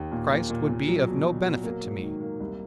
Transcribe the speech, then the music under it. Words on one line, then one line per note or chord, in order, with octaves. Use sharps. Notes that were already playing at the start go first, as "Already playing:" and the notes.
Christ would be of no benefit to me.
Already playing: D#2
A#2
A#2
A#2
A#2
F#3
B2
B2
F#3
A#3
G#2
D#3
A#3
C2